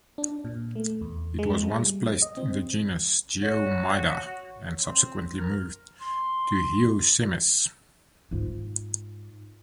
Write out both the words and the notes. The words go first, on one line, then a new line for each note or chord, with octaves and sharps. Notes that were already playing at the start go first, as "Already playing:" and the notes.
It was once placed in the genus "Geoemyda" and subsequently moved to "Heosemys".
D4
A#2
A3
E2
G#3
G3
D#5
C4
F#4 C#5
C4
A#4
C6
G#2 F4